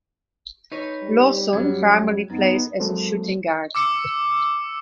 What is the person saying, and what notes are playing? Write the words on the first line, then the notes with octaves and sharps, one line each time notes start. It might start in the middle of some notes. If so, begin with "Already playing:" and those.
Lawson primarily plays as a shooting guard.
D#4 B4 C#5
G3
F#2 F#3 C#4
F#2 B3 D#4
F#3 G#3 A#3 C4 A4 C5
D6 E6 C#7